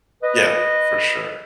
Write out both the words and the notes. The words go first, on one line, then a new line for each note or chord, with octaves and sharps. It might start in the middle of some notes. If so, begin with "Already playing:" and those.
Yeah. For sure.
B4 D#5